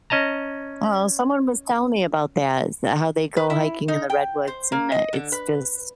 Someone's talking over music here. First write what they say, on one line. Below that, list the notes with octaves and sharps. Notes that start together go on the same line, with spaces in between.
Well, someone was telling me about that, is that how they go hiking in the Redwoods and that it's just
C#4 D#5 A5 A#5
B4
E4
D#4
G5
C5
A#3
D#5
D3
B4